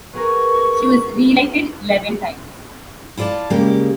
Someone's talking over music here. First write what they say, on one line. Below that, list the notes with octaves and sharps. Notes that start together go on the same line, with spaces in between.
She was re-elected eleven times.
B3 G#4 A#4 C#6
E4 F4 D5 G#5 A5
C#3 G3 G#3 A#3 G4